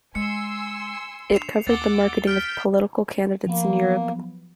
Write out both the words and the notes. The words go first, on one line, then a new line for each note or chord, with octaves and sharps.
It covered the marketing of political candidates in Europe.
G#3 G#5 C6 E6 C#7
D4 C7 E7 F7
D#2 F#5 D6 E6 A6 G7
F6 G6 B6 D7
F3 F#3 A#3 B3